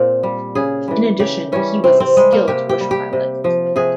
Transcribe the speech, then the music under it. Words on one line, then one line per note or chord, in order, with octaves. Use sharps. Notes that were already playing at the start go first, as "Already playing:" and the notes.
In addition, he was a skilled bush pilot.
Already playing: A#2 A#3 C4
G3
C#3 G#4
E3 G3
C#3 G4
E3 G3 C#4
C3 C4
C4
G3 G#3
A#3
C3 G4
G4
G3
G4
C3
F3
C3 G#4